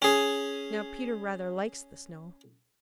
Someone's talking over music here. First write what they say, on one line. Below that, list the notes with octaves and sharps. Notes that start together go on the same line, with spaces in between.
Now Peter rather likes the snow.
C#4 G#4